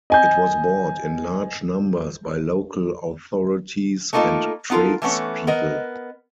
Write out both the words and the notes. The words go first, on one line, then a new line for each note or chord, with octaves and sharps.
It was bought in large numbers by local authorities and trades people.
D#5 G#5 G6
A3 A#3 D#4 F4 A4 A#4
B3 D#4 F4 A4 A#4
E3 A3 B3 C#4
B3 A#4 D#5